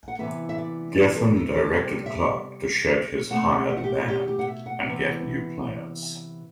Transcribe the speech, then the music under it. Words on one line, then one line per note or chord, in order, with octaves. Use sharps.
Geffen directed Clarke to shed his hired band and get new players.
F#5
C3 E3 B3 E5
E5
D5
B4
A4
A4
A4
C3 G3 B3 D5
E5
D5
B2 A3 C4 F#5
G4
F#4
G4
F#4
G4
G4
F#5
E5
F#5
C3 E3 B3